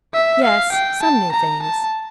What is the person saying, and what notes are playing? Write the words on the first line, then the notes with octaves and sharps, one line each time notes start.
'Yes, some new things.
E5
F5
G5
A5
A#5
A5